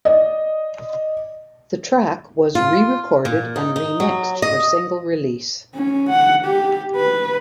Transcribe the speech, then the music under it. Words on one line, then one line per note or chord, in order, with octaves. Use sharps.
The track was re-recorded and remixed for single release.
D5 D#5
F4
A#2
D#4
D#4
F#3
D#5
C#4
F#5
G4
B4